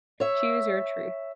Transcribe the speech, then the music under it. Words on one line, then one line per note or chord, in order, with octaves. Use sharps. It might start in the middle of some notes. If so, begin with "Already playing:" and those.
"Choose your truth."
C#5 E5